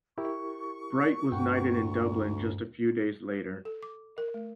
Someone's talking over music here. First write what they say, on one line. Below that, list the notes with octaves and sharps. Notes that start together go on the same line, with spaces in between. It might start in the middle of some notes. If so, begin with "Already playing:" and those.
Bright was knighted in Dublin just a few days later.
E4 G4 A#4 C#6
D2 G2 F#5 G5
A4
D6
A#4
A3